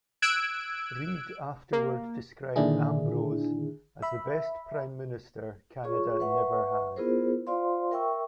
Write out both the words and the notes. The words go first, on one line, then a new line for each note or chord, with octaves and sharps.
Reid afterward described Ambrose as the best prime minister Canada never had.
E6 F#6 G#6 D7
A#3
A#2 D3 D#3 D4 E4 G#4
E5 B5
F4 G#4 C#5 C#6
B4 E5 F#5 C#6
B3 E4 F4 G#4 A#4 C5
F4 C5 D5 F5 C6
A#4 E5 G5 C#6 E6